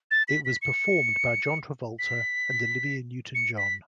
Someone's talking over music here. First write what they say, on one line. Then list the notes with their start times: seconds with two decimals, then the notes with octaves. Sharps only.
It was performed by John Travolta and Olivia Newton-John.
0.11 A6
0.28 B6
0.45 B6
0.62 C#7
1.99 B6
3.35 C#7
3.58 B6